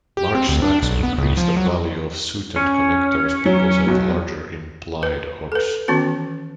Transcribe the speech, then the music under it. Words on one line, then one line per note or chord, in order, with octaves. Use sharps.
Large stacks increase the value of suited connectors because of larger implied odds.
G4
C4
D2
D4
B1
B3
C#2
F3
F#3
C#4
F#3
B1 F#3
B4
A4 B4
D#3 E3 B3 C#4 F#4 B4